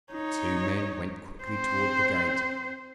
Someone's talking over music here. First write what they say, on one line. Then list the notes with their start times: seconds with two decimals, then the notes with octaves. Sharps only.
The two men went quickly towards the gate.
0.12 D#4 C#5
1.44 C4 C5